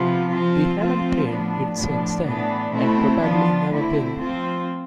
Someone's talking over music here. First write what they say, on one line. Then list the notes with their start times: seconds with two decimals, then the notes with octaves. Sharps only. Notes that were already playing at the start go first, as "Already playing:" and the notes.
We haven't played it since then and probably never will.
Already playing: C3 F3 B3 F4
0.30 F3 C4 F4
0.79 F3 A3 C4 F4
1.27 A2 F3 B3 D4
1.76 A2 F3 B3 D4
2.23 A2 E3 B3 D4
2.72 B2 A3 C4 E4
3.21 F3 B3 D4 F4
3.69 D3 A3 C4 E4
4.18 F3 C4 F4